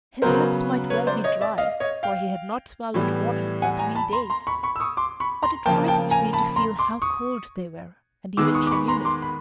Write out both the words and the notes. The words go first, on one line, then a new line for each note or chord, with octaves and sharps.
His lips might well be dry, for he had not swallowed water for three days; but it frightened me to feel how cold they were, and even tremulous.
C#3 F#3 B3 A#4 C5
B4 C#5
C5 D5
C#5 D#5
D5 E5
D#5 F5
C#5 D#5
F5 G5
A2 E3 G3 B3
F#5 G#5
G#5 A#5
A5 B5
A#5 C6
A#5 C6
B5 C#6
B5 C#6
E6
C#6 D#6
C6 D6
B5 C#6
A#5 C6
C#3 F3 A#3 G5 A5
G5 A5
G#5 A#5
A5 B5
A#5 C6
C6 D6
C#6 D#6
D#3 G#3 B3 D6 E6
C#6 D#6
D6
B5 C#6
A#5 C6
C6 D6
B5